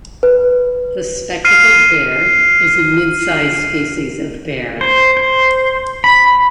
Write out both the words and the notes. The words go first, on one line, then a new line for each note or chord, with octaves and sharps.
The spectacled bear is a mid-sized species of bear.
B4
F6 C7 D#7
C5
C5
B5